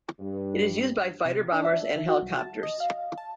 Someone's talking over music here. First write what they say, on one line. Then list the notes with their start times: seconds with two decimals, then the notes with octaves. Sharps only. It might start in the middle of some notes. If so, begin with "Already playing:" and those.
It is used by fighter bombers and helicopters.
0.19 G2
1.25 C3
1.52 D4
1.65 E5
1.96 D#3
2.09 F#4
2.22 C2
2.38 A5
2.63 D#5
2.80 F5
3.18 A5